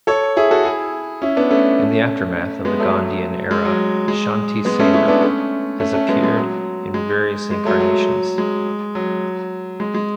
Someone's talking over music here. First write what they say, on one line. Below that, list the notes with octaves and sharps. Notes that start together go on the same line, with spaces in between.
In the aftermath of the Gandhian era, Shanti Sena has appeared in various incarnations.
A4 C#5
E4 G#4
F#4 A4
E4 G#4
C#4 E4
B3 D4
A3 C#4
G#3 B3
F#3 A3
G#3
F#3
G#3
G#3 B3
A3 C#4
C#4 E4
B3 D4
A3 C#4
A3 C#4
A3 C#4
G#3 B3
G#3
F#3
G#3
G#3
F#3 A3
F#3
G#3
F#3
G#3
G#3